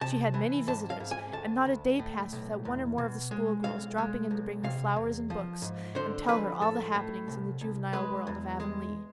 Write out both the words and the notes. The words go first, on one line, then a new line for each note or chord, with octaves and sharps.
She had many visitors and not a day passed without one or more of the schoolgirls dropping in to bring her flowers and books and tell her all the happenings in the juvenile world of Avonlea.
C3 A5
E3
G#2 A5
F5
G#2
G#5
D2 A5
D2
A2
B1
E2
B2
G#3
B1 F5
G#3
B1
C3 F5
E2
F3
G#2
D3 C5
F3 B4
A2 A4
A2
C2
C2
G#3 B4
E2
G#3